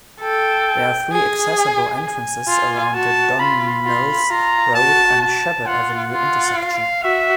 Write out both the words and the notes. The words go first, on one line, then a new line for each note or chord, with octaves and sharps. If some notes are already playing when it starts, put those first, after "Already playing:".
There are three accessible entrances around the Don Mills Road and Sheppard Avenue intersection.
A4 G5
G#4 G#5
F4
F#4 A5
F4 B5
F4
F4 A#5
F#4 A5
A5
F4 F#5
F4
F5
F#4 E5